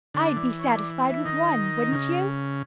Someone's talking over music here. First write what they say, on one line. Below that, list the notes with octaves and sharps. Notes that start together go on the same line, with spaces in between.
I'd be satisfied with one, wouldn't you?
D3
D5
E3
C#5
D5
E5
D#3 D#5
C#3